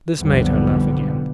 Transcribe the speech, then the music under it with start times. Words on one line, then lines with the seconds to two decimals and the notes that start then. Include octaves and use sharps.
This made her laugh again.
0.18 B1 F2 D3 F3 G3 B3